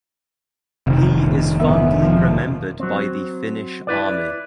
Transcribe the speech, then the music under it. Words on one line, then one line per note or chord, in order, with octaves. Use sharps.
He is fondly remembered by the Finnish Army.
F1 C3 D#3
A#1
G#2 C#3 B3 A#4 E5
B1 F3
F#3 C4
E4 B4 D5